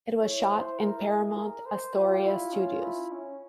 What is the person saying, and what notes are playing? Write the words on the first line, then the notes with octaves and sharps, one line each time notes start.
It was shot in Paramount Astoria studios.
E4 C#5
C5
A#4
G#4
A#4
C5
F4 G4
E4
C#4
E4
C#4